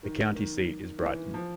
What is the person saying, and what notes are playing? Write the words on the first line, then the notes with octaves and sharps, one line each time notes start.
The county seat is Brighton.
D#3
D#3
E3
F3